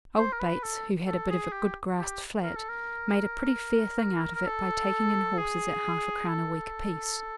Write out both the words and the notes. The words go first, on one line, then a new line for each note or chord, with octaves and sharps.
Old Bates, who had a bit of a good grassed flat, made a pretty fair thing out of it by taking in horses at half-a-crown a week apiece.
C5
A#4
B4
A4
A4
G#4
G4
G4
A#4
A4
A#4
A#4
A4
G#4
A4